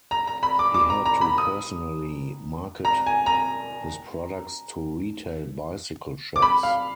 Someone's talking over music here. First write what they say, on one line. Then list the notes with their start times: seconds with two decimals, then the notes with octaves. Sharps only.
He had to personally market his products to retail bicycle shops.
0.11 A#5
0.27 A#5
0.43 B5
0.59 D6
0.74 D6
0.90 A#5
1.06 A#5
1.21 B5
1.38 D#6
2.85 A#5
3.06 G#5
3.26 A#5
6.36 D6
6.42 B5
6.63 F5